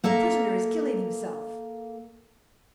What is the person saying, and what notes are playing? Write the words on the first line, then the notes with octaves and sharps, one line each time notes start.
"The prisoner is killing himself!"
A#3 A4 A#4 E5